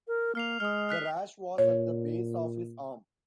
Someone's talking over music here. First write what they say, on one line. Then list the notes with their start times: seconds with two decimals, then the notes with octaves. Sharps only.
The rash was at the base of his arm.
0.08 A#4
0.35 A#3 F6 C7 F7
0.60 G#3 D#6 F6
0.89 F6 F#6 B6
1.58 A#2 C#5